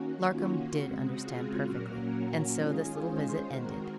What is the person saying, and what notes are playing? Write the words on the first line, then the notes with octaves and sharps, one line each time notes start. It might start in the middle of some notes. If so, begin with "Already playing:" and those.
Larcom did understand perfectly, and so this little visit ended.
Already playing: D#3 A#3 C#4 F#4
F4
C#3 G#3 C4 F#4
F4 G#4
A#2 F#3 A#3 C#4 F#4 A#4
D#3 G#3 C#4 F4 G#4
G#4 C5
D#3 G#3 C4 F#4 A#4